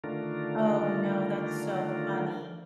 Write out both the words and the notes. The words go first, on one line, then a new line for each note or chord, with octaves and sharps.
Oh, no. That's so funny.
D3 D#3 A3 D4 F4 A#4